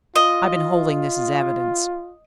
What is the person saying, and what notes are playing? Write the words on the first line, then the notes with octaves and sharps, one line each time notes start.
I've been holding this as evidence.
F4 D#5